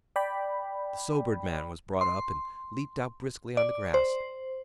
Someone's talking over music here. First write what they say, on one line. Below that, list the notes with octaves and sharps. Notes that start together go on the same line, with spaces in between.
The sobered man was brought up and leaped out briskly on the grass.
D5 G5 B5
C6
D5
C5